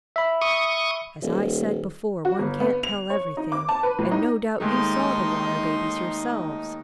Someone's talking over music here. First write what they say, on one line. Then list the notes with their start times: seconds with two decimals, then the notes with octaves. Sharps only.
As I said before, one can't tell everything, and no doubt you saw 'The Water Babies' yourselves.
0.16 E5 B5
0.42 C#6 D#6
1.22 D#1
2.25 F#4
2.39 G1
2.60 B3
2.83 F7
3.10 C#5
3.37 D#4
3.52 D6
3.69 A5
3.83 B4
3.99 A2
4.11 D#4
4.61 D#2 G#3 A3 D#4 C6